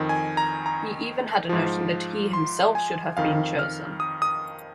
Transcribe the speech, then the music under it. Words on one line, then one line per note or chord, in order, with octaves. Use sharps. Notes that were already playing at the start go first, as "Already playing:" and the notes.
He even had a notion that he himself should have been chosen.
Already playing: F2 D#3
G#5
A#5
A#5
G#2 F3
C6
G#5
F2 D#3 F5
F6
D#6
D#6